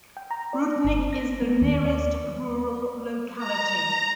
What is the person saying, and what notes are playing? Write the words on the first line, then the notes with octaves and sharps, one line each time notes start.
Rudnik is the nearest rural locality.
G5
A#5
D5
G1
C4
A#6
B3
D#2
D5
A#5